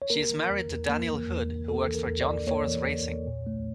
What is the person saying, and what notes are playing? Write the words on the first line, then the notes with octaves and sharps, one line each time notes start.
She is married to Daniel Hood, who works for John Force Racing.
C#5
A#3 A#4
E3
E2
E2
A#3
E3
E2
E2
A#3 A4
E3
A#4
E2
D5
E2
A#3 C#5
E3
E2
E2
A#2
A3